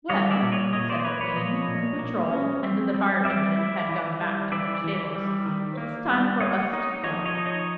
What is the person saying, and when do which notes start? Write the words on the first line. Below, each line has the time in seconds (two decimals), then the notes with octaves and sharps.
"Well," said the Queen, when the Patrol and the Fire Engine had gone back to their stables, "it is time for us to go."
0.10 G3 C#5 D#5
0.31 D5 E5
0.42 A#2
0.52 C#5 D#5
0.73 A#2 C#5 D#5
0.89 C5 D5
1.00 C5
1.04 A#3 B4 C#5
1.21 B4 C#5
1.36 F3 C#5 D#5
1.68 A#2
1.99 A#3
2.31 C#4
2.63 C4
2.94 G3
3.25 G3 D5 E5
3.57 E4
3.88 E3
4.21 G3
4.52 E3 D5 E5
4.84 E3
5.15 G3
5.46 D#3
5.77 A#3
6.09 G3
6.40 A#3 C#5 D#5
6.73 D#4
7.03 F3 C#5 D#5
7.26 C#5 D#5
7.35 D#4
7.46 C#5 D#5